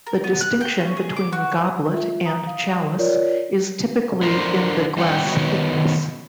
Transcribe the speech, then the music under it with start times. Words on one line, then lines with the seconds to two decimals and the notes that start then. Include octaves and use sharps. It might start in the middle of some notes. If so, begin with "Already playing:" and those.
The distinction between goblet and chalice is typically in the glass thickness.
0.07 A#4
0.24 B3
0.41 F#6
0.61 G5
0.81 C#4
0.97 G#4
1.16 D6
1.33 F#4
1.92 F4 E5
2.25 A#5 D#6
2.47 F5 D#6
2.98 F4 A#4 C#5 D5
4.22 D3 A#4 C5
4.98 G3 C#4 F#5 G5
5.27 D#3 B3 F#4 C#5